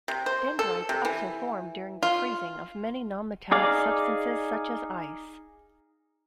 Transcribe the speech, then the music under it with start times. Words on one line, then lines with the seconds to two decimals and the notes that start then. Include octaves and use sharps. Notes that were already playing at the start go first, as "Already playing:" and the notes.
Dendrites also form during the freezing of many nonmetallic substances such as ice.
0.08 C3
0.26 C5
0.59 A4
0.89 C3
1.05 E3
2.03 F4
3.51 D#4 G#4 D5 F5